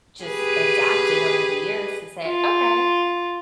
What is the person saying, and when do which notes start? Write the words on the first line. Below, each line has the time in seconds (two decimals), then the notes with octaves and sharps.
just adapted over the years to say, "Okay,
0.23 G4 G#4 B4
2.25 F4